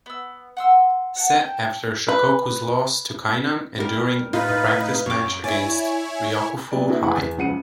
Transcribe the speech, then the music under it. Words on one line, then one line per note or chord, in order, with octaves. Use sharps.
Set after Shohoku's loss to Kainan, and during a practice match against Ryokufu High.
B3 E6
F#5 C6 E6
F#5 G5 A5
A4 G5 G6
B4
G3 A#4
A2 D#4 F4 B4
F#2 C#5 D6
E4 C#5 D5 G#5
F#3 A#3 B3 D5
A#3 D4 E4 F#4 A4
F1 E3 E4 G#4 F#5
E2
C#2 C#3 F3 F#5 C#7 D#7
F#2